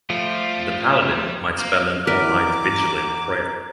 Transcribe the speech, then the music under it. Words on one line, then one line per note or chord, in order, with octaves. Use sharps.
The paladin might spend an all-night vigil in prayer.
F3 G3 A3 F4
A#3
E2 A#4 B4 D5 A#5 D6